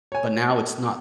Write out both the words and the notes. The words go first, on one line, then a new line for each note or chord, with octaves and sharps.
but now it's not
C#5 G#5